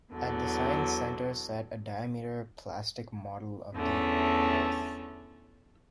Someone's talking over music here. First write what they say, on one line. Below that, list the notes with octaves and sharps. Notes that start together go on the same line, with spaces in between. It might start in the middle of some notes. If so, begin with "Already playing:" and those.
At the sign's center sat a diameter plastic model of the Earth.
E2 D3 F#3
E2 D3 A3 C#4